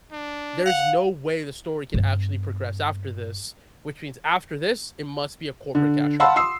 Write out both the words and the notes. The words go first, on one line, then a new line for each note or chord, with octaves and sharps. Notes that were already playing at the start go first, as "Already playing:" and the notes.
"There's no way the story can actually progress after this, which means after this, it must be a corporate cash grab."
D4
F5 F#5
G2 B3
D3
F5 F#5 A5 B5 C6 E6
C6 D#6 E6 C7